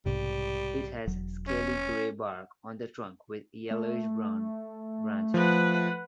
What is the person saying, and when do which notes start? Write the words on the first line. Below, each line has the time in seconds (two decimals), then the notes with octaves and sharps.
It has scaly grey bark on the trunk with yellowish-brown branches.
0.06 B1 G#2 C3 G3
1.07 E1 F#3
1.47 C#4
3.71 A3
5.34 F3 B4 F#5